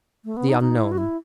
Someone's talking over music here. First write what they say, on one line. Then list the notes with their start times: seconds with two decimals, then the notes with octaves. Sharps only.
The Unknown.
0.25 A3
0.37 B3
0.49 D#4
0.61 D#4
0.79 E4
0.92 F#4
0.98 E4